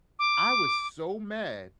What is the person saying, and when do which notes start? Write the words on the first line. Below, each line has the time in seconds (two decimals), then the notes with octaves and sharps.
I was so mad.
0.19 D6